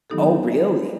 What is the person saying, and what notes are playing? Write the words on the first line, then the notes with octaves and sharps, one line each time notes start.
Oh, really?
D#3 F#3 B3 D#4 G4 A4